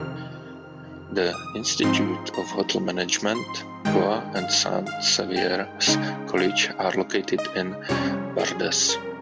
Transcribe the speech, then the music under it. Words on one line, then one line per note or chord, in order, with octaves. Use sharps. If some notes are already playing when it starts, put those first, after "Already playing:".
The Institute of Hotel Management, Goa and Saint Xavier's College are located in Bardez.
Already playing: F2 C3 D#3 F6
D#6
G#2 F3 C4 D#4 C6
A#5
C6
G2 D#3 G#3 G5
F5
F5
G5
C#3 G#3 D#4 G5
F5
D#5
F2 C3 G3 C#4 C#5
G#4
A#4